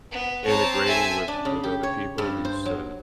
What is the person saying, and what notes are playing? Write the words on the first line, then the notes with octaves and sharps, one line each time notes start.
integrating with with other people, these, uh, th
B3
C4 C#5 A5 A#5
A4 E5 G#5
D4
C#3
G4
C#5
G2
C5
F#3